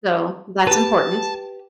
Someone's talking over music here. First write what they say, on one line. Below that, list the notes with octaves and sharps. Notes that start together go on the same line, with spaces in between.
So, that's important.
G4 B4 A5